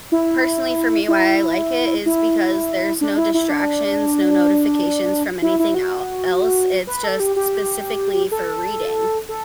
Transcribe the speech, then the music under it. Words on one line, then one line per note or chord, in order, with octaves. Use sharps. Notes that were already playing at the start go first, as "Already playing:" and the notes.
personally for me, why I like it is because there's no distractions, no notifications from anything el else, it's just specifically for reading,
E4
E4
E4
D4
E4
E4
D4
E4
E4
F#4
B4
A4
G4
G4
A4
A4